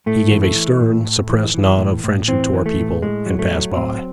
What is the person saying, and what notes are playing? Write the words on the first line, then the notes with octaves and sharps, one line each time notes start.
He gave a stern, suppressed nod of friendship to our people, and passed by.
A2 A3
E3
A3
E3
A2
A2
E3
E3
A2
A2
E3 C4
E3
A3
A2
A2 G#3
F#3
A3
F#3
A2 C4